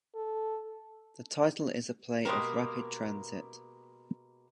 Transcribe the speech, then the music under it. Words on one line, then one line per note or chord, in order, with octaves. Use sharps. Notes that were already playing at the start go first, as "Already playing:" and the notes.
The title is a play of Rapid Transit.
A4
B2 G#3 A#3 G4 A#4